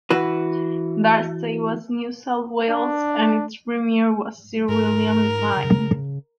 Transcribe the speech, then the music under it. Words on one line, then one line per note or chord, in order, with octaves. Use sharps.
That state was New South Wales, and its premier was Sir William Lyne.
E3 F#4 B4
D4
G#2 A#4
C#3